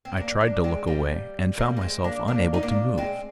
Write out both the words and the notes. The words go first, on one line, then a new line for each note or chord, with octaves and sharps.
I tried to look away, and found myself unable to move.
C4
A#3 D4
A#3 D4
G#3 C4
G3 A#3
G3 A#3
A#3
G#3 C4
A#3 D4
A#3 D4
D#4
A#3 D4
G#3 C4